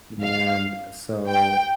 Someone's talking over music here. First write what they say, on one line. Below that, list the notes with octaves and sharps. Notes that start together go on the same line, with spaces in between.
and so,
F5
G5